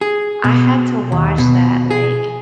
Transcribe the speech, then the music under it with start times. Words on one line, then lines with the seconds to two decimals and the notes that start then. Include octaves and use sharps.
I had to watch that, like,
0.01 G#4
0.44 B2
1.12 D#2
1.38 B2
1.91 G#4